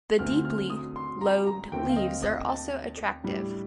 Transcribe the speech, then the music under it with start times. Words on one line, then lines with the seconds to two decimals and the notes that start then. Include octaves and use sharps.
The deeply lobed leaves are also attractive.
0.19 D2 D3 A3 C4 F6
0.45 F6
0.70 D#6
0.96 C6
1.21 A#5
1.47 A#5
1.72 D#2 D3 A3 C4 G5
1.89 F5
1.96 D#5
2.22 D#5
2.48 A5
3.24 A2 G3 D4